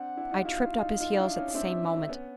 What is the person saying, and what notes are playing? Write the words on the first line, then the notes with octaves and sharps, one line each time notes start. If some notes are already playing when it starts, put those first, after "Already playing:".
I tripped up his heels at the same moment.
Already playing: C4 D4 F#5
D4 E4
D#4 F4
E4 F#4 F5
D#4 F4
D#4 F4
D#4 F4
D#4
D4 E4
C#4 D#4
C4 D4 E5
B3 C#4